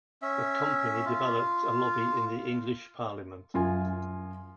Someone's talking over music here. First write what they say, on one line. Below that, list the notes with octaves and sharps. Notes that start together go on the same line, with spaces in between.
The company developed a lobby in the English parliament.
C#4 E5
F4
F#2 F4 G#5